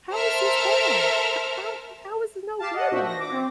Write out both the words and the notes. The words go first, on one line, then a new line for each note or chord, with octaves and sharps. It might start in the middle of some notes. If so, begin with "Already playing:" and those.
how is this bad? H how how is this no good no more?
A4 A#4 C5 E5 F6
G4 F5 A5
D#5 F#5
A#2 D4 F#4 C5 E5
A#6
D6
C4